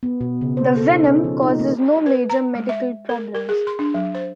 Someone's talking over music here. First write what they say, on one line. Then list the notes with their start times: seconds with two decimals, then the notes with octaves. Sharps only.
The venom causes no major medical problems.
0.03 B3
0.21 B2
0.41 C#3
0.57 C5
0.77 A4
0.91 D#4
1.06 C#4
1.24 F3
1.43 D#4
1.60 A#3
2.06 B4
2.30 A#5
2.55 G#3
2.69 E5
3.09 A#4
3.35 A#4
3.49 G#4
3.67 C6
3.79 D4
3.94 F#3
4.15 C5